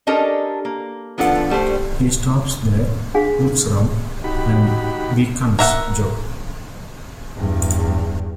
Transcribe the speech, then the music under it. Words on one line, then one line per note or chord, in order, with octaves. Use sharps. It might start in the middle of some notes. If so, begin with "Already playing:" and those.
He stops there, looks round, and beckons Jo.
C#4 D4 G4 A4 A#4 D#5
A#3
F3 B3 D4 F4 A4 F#5
G3 A3 G4 C5
D4 G#4 F5
D#4 F#4 G4 B5
A#4 E5 F#5
E2 G2